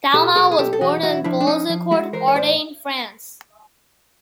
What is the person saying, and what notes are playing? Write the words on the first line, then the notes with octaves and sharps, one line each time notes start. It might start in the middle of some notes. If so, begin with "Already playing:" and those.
Daumal was born in Boulzicourt, Ardennes, France.
B2 G4 A4
B1 G#4 A#4
G#4
B1 G4 A4
A4
E3 F#4 G#4
B1 E4 F#4
F3 D4 E4
D4
F3 C#4 D#4
F3
G#3 E4 F#4
E3 A#4 C5
C#5
A2 C5 D5